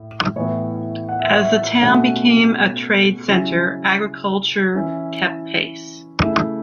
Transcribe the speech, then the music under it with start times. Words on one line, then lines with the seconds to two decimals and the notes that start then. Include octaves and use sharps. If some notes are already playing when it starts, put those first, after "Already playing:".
As the town became a trade center, agriculture kept pace.
Already playing: A2
0.36 A2 E3 B3 C#5
1.09 F#5
1.19 E5
1.31 C#5
1.42 E5
1.82 B2 A3 C#4 F#5
3.28 C#3 F#3 C#4 E4
4.75 E3 C#4 E4
6.21 C#3 A3 E4